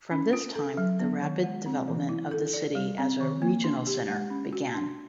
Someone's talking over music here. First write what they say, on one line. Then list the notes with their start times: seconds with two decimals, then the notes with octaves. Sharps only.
From this time the rapid development of the city as a regional center began.
0.11 C#4
0.33 F4
0.55 A4
0.77 F#3
0.99 B3
1.22 D#3
1.44 G#3
1.66 C4
1.87 E3
2.09 E4
2.31 A4
2.54 D5
2.75 G3
2.98 C4
3.20 D#3
3.42 A#3
3.64 D4
3.87 G4
4.08 G#3
4.30 C#4
4.53 F#4
4.74 D4